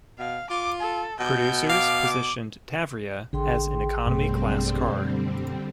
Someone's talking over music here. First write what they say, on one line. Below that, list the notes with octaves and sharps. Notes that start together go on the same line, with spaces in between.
Producers positioned Tavria as an economy-class car.
B2 F5
F4 D6
A4
B2 G6
F5 D6
D6
A1 D3 G#4 G5 C6
F#2 B2 D3 G3 A3 C4